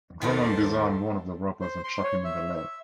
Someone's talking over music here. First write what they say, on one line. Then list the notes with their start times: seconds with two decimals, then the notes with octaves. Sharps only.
Roland disarmed one of the robbers and shot him in the leg.
0.22 D#2 D#3 B3 A4 A#4 C5 A5
1.61 C5
1.84 C6
2.03 C#5
2.24 E5
2.56 E5